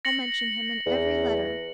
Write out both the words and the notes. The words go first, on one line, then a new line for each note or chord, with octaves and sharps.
I'll mention him in every letter.'
A#6 C#7 F#7
E2